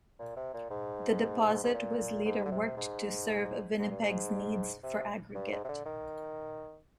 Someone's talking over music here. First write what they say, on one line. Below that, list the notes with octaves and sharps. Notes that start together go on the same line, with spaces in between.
The deposit was later worked to serve Winnipeg's needs for aggregate.
A#2
C3
A#2
G#2
G#2
A#2
G#2
D3
C3
G#2
G#2
G2
G#2
C3
G2
G#2
C3
D3
D#3